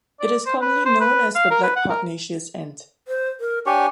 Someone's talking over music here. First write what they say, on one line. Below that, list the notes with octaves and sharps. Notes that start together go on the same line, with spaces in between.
It is commonly known as the black pugnacious ant.
D5
C5
B4
C5
B4
F5
A#4
B4
F#5
A#4
C5
A#4
D4 G4 C#5 G#5